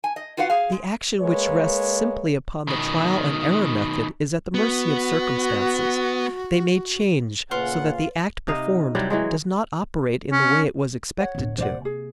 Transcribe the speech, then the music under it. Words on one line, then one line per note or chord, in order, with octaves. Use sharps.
The action which rests simply upon the trial and error method is at the mercy of circumstances; they may change so that the act performed does not operate in the way it was expected to.
G#5
D#5
F4 F#4 B4 F5 F#5
G#4 F5
G#3
G#3 A#3 B4 C#5
B2 D#3
B3 F#4
A#2 C#3 F4 B4 F#5
C3 D#4 D#5 F5
C3 F#3 G3 E4
E3 F#3 G#3
C#4
C#5 F#5
D1 D4
C3 A#3 C5 D5 F#5
G#4